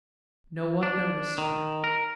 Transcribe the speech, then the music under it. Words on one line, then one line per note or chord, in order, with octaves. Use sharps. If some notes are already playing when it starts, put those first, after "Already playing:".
No one noticed her.
D4
D#3
A#4